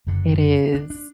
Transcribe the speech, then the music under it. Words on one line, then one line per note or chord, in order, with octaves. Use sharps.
It is,
F#1 F#2 D3
D4
D4